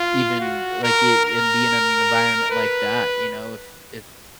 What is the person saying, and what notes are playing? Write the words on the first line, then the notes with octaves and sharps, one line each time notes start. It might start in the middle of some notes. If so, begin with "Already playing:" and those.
even, like, in being in an environment like that, you know, if if
Already playing: F4
F#4
A#4
A#4
B4